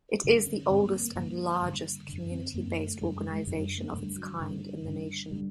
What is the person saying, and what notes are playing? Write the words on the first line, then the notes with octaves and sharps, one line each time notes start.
It is the oldest and largest community-based organization of its kind in the nation.
G2 D3
C#4
G2 D3 C4
A#3
A#3
G2 D3 A#3
G2 D3
F#2 D3
C4
F#2 D3 A#3
A3
F#2 D3 A3
G#3
G#3
F#2 D3 G3
A#3
G2 D3 A3
F#3
G2 D3
G2 D3
D3 G3